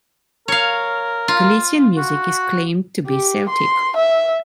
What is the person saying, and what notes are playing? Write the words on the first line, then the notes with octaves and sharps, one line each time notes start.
Galician music is claimed to be "Celtic".
A#4 C#5 F5
F4
F#4
G4
C6
E5